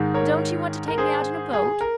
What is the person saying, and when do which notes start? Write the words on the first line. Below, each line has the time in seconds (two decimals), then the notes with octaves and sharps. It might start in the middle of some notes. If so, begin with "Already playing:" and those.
"Don't you want to take me out in a boat?"
Already playing: G#2 D#3
0.14 A#4 C#5
0.88 A#4
0.98 G#4 C5
1.53 G#4
1.81 A#4